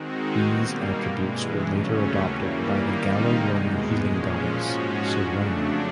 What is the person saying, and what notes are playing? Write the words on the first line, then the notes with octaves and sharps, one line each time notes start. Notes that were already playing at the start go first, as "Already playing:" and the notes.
These attributes were later adopted by the Gallo-Roman healing goddess, Sirona.
Already playing: D#3 G#3 C4 D#4 F#4
B2 G3 A#3
G2 E3 G#3
D#2 C#3 F#3 A3 C#4
E3 G3 A#3
C3 D#3 G3 A#3 D#4
E2 B2 G#3
A#2 F3 G#3 C#4
G#2 F3 G#3 C#4 F#4
F2 C#3 F#3 A3 D4